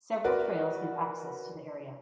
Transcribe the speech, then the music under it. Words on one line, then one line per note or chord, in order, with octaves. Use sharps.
Several trails give access to the area.
F#4 A#4 B4 D5